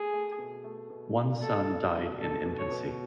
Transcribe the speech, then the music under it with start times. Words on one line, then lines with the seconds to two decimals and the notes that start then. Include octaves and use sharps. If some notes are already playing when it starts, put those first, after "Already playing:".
One son died in infancy.
Already playing: A3 G#4
0.13 A3
0.38 B2
0.64 A3
0.90 B2
1.16 B2
1.42 A3 A4
1.68 E4
1.95 B2
2.20 B2 A4
2.46 B2
2.59 C#5
2.72 B2